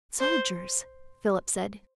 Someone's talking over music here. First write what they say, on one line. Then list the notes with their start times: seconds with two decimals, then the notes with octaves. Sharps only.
"Soldiers!" Philip said.
0.20 C5